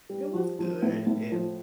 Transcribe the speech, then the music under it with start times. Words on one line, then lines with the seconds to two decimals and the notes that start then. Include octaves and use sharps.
It was good. And,
0.09 G3
0.34 F3
0.59 F3
0.83 A2
1.07 A2
1.32 F3